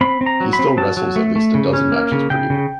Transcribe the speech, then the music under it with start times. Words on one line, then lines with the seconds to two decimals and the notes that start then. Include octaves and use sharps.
He still wrestles at least a dozen matches per year.
0.01 C4 B5
0.21 C4
0.26 A#5
0.40 F#3
0.53 B5
0.59 C4
0.77 F#3 A5
0.97 F#3
1.16 A3
1.36 A3
1.54 C#3
1.73 C#4
1.92 A#3
2.12 C#3
2.30 C#3 G5
2.50 C#3